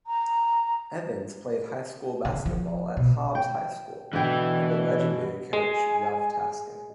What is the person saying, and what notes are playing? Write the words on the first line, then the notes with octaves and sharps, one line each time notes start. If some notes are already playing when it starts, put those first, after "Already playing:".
Evans played high school basketball at Hobbs High School under legendary coach Ralph Tasker.
A#5
C#3
F3
B2
G5
B2 D3 E3 B4 G5
G#3 G#5